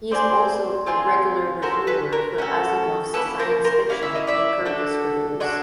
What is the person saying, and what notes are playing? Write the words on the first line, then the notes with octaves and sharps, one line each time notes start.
He is also a regular reviewer for Asimov's Science Fiction and Kirkus Reviews.
C4 F4 G#4 C5 D5
C4 F4 G#4
C#4 F#4 A4 A#4 C5
A4 B4
A#4
C#4 F#4 A4
A#3 C#4 E4 A4 B4
A#4 C5
A#4 C5
A#3 C#4 E4 F5
E5
D#5
D5 E5
D4 F#4 A4
D4 F#4 A4 C#5 D#5